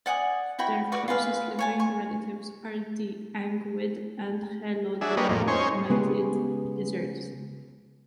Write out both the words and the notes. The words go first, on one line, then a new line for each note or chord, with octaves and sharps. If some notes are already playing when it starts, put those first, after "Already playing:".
Their closest living relatives are the anguid and helodermatid lizards.
D5 F#5 G#5 D#6
E4 F#4 G5 B5
F#4 B4 D5 C#6
F4 G#4 B4 F5
C#5 G#5 A5
G#5 C#6
F#3 D4 G#4 E5
G3 A#3 D4 B4 C#5 D#5
F2 A2 A#3
C#4 D#4 C5 C#5 G#5
C#3 G#3 B3 G4 G#4